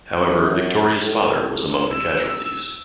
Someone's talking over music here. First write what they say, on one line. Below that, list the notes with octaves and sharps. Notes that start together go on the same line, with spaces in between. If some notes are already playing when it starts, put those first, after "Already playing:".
However, Victoria's father was among the casualties.
F#2
A2
E6